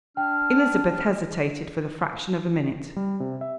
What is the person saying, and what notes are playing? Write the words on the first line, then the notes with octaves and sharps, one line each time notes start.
Elizabeth hesitated for the fraction of a minute.
D4 G5 F6
G3
C3
E5